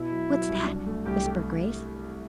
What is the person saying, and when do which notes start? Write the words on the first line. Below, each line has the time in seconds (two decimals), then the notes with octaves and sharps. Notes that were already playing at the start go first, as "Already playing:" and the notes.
"What's that?" whispered Grace.
Already playing: B2 E4
0.12 F#3
0.30 F#3
0.49 C2
0.68 D4
0.86 A3
1.05 C2 G4
1.24 A3